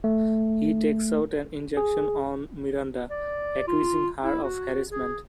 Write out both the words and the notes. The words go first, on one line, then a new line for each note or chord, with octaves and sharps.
He takes out an injunction on Miranda, accusing her of harassment.
A3
G#4
D5
F4
E4
F#4
G#4